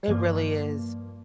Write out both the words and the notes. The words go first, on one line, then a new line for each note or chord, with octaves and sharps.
It really is.
G2 F3 A#3